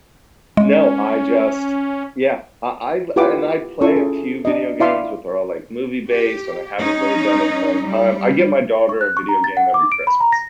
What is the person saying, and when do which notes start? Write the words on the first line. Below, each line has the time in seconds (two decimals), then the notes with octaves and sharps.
no, I just yeah, I I glu a and I play a few video games, but they're all, like, movie-based, and I haven't really done it in a long time. I get my daughter a video game every Christmas.
0.57 G#3 C#4
3.16 E4 F4 G4 B4 F#5 D6
3.81 C#4 E4 F4 A4 C#6
3.96 G#4
4.45 D4 D#5
4.80 E4 D5 E5 F5 A5 C6
6.09 G4
6.79 C#4 D#4
7.85 G3
8.89 C#6
9.01 F#6
9.17 C#6
9.29 A#5
9.44 A6
9.57 F#5
9.74 D6
9.92 D7
10.07 B5
10.20 A#5
10.32 A#6